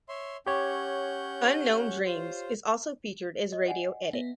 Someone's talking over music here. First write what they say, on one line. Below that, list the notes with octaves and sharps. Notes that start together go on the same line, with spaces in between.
"Unknown Dreams" is also featured as radio edit.
C#5 E5 C6
C#4 G4 C#5 F#5 G6
F4 C5
D#5
D5 F#5 G#5
B3 E5